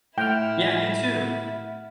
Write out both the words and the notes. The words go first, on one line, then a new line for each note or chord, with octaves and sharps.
Yeah, you too.
A2 E4 F#5 G5 F6